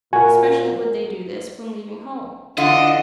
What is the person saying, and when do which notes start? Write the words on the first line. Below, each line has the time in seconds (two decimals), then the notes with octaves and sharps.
Especially would they do this, when leaving home.
0.13 A#2 F#4 A#4 G#5
2.57 D3 E3 D4 F4 D#5 F5 F#5